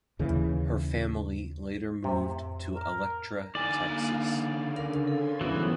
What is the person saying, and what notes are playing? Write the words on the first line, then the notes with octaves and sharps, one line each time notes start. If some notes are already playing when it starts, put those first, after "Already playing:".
Her family later moved to Electra, Texas.
D#2 C#3 E3
F2 A2 C3
A#4
D3 D#4 D5 F5 G#5
A#3
C#3
D4 A#4 F5
C#4 A4 C6 G#6
G#2 E3 F#3 G3 B3 F#4